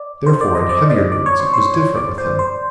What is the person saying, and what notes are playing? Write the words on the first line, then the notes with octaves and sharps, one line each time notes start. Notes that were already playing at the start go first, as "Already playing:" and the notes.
Therefore in heavier moods it was different with him.
Already playing: D5
C5
D5
D#5
D5
D5
D5
C#5
C5
C5
C#5
D5
C5
C5